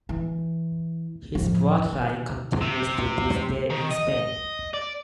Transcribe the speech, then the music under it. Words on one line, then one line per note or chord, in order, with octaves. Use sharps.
His bloodline continues to this day in Spain.
E3
A1 F3
D#3
C3
D#3
D#5
D5